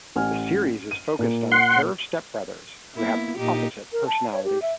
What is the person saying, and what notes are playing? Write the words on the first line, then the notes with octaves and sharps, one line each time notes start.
The series is focused on a pair of stepbrothers who have opposite personalities.
A1 G#5 F6
D#7
A#2
F#5 C6
A#3 B3 E4
A#2 D#4 G4
A#4
A5
C#5
G4
E5